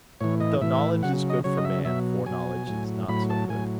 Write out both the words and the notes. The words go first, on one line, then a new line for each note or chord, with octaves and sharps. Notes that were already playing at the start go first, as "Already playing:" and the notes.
But though knowledge is good for man, foreknowledge is not so good.
A2 E3 C#5
D#5
A2 E3 E5
C#3 F#3 F#5
D#5
C#3 F#3 C#5
D#5
E5
B2 F#3 E5
B2 F#3 G#5
A2 F#3
A2 F#3 B5
A5
A2 F#3 G#5